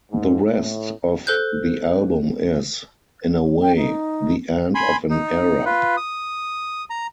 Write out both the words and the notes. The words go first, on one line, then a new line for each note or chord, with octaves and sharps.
The rest of the album is, in a way, the end of an era.
G#2
A2
A4 C5 F#6 G6
G5
D#4
G#5 B5 C6
D#4
F4 B4
D#6
A#5